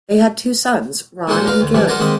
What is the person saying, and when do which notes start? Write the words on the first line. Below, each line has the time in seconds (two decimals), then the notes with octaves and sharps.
They had two sons, Ron and Gary.
1.27 A#2 D#3 G#3 D4 C5 F#5
1.47 B4 D5 F5 A#5
1.61 D2
1.74 C3 E3 F3 G3
1.87 A#4 C5 D5 F#5 G#5 A#5
2.00 D#3 G#3 A#3 C4 D#5 B5